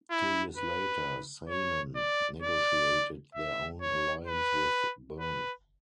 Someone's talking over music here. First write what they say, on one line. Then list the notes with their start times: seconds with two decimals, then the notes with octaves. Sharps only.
Two years later Saanen negotiated their own alliance with Bern.
0.11 E4
0.57 B4
1.49 C#5
1.95 D5
2.42 D5
3.35 E5
3.82 C#5
4.27 B4
5.20 B4